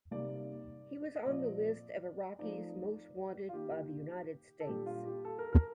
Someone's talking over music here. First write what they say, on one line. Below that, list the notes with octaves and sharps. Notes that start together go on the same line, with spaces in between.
He was on the list of Iraqis most wanted by the United States.
C3 G3 A#3 D#4 D5
D#5
A#2 F3 C4 D5
F3 A3 C4 D#4 D5
F4
D#3 A#3 D#4 G4
A4
A#2 G3 D4 G4
F4
G4
A4
A#4
A#4